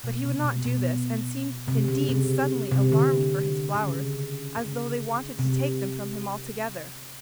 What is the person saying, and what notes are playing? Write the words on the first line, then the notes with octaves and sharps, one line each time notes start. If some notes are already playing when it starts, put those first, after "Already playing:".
But he would not do this and seemed indeed suddenly alarmed for his flowers, as though they wanted to take them from him altogether.
B2
C3
B2
B2
C3
C#3
C3
C3
D3
C#3
C#3
C3